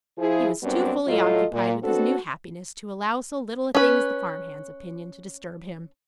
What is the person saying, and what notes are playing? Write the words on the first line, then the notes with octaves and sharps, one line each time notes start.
He was too fully occupied with his new happiness to allow so little a thing as the farm-hand's opinion to disturb him.
F3 E4 G#4
F#2 G3 B3 C4 D4 D5
A2 F#3 F4 A4 D#5
A#2
B3 C4 D4 F#4 A4
C#4 B4